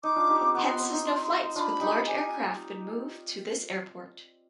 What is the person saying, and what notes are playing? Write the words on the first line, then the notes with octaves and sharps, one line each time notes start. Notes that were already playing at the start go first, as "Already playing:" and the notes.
Hence has no flights with large aircraft been moved to this airport.
D#4 D6
D4 F4
D#4 G4
C4
B3 C6 D6
B3
C4
D#4
D4 F4 B5 C6
D#4 G4
G#5